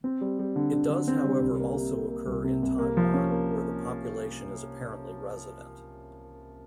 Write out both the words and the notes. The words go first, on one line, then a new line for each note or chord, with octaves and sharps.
It does however also occur in Taiwan, where the population is apparently resident.
C4
G3
G3
D3
D3
D3
C4
G3
C2
A#3
C3
A#3
A#3
C2
C3
C2
A#3
F3
C#4
A#3